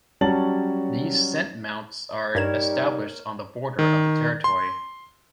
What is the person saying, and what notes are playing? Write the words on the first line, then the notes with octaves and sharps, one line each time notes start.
These scent mounts are established on the border of the territory.
F#3 G3 C#4 A5 A6 F#7
G2 G3 D#4 A#4 C#5 G#6 E7
D#3
C6